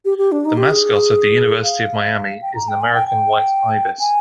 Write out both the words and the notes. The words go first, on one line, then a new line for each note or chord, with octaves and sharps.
The mascot of the University of Miami is an American white ibis.
G4
G4
D4
D#4
G4
G#4
F5
G5
A#5
G5
G#5
G5
G5
G#5